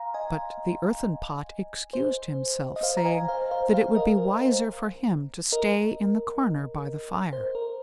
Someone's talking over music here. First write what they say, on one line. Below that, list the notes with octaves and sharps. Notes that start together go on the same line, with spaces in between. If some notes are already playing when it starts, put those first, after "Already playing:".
But the Earthen Pot excused himself, saying that it would be wiser for him to stay in the corner by the fire.
Already playing: F5 G#5 A#5 C6
D#5 G#5
C5
D#5
C5 F5
A#5
D#5 G#5
C5 F5
C5 F5
C5 F5
A#4 D#5
A#4
C5
A#4 D#5
C5
A#4